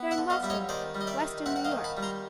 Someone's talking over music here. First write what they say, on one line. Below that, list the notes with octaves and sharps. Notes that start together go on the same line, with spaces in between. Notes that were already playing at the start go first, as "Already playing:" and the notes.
"They're in Weston--Weston, New York."
Already playing: B3
E5 F#5
D3
D#5 F5
G3 E5
C#5 D#5
D#3 C5 D5
G3
D#5
D5 E5
D#3
C4 E5 F#5
F#5
D#5 F5
D#3
A5 B5
G3
A#5 C6